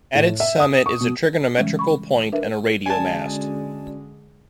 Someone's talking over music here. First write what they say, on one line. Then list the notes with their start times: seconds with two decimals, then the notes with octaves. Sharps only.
At its summit is a trigonometrical point, and a radio mast.
0.15 A2
0.40 E5
0.60 D#6
0.86 C#6
1.01 B2
1.57 C#3 E3 G3 G#3 C#4
1.79 B5 C#6
2.32 D4 A#4 B4 E5
2.86 D3 G#3 C#4 F#4 D5 G#5 A5